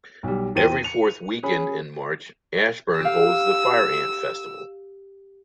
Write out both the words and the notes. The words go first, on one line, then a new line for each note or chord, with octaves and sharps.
Every fourth weekend in March, Ashburn holds the Fire Ant Festival.
B1 G3
E2 G4 C5 G5 D#7
C#7 F7
C#4 G#4 B5
G4 F5 E6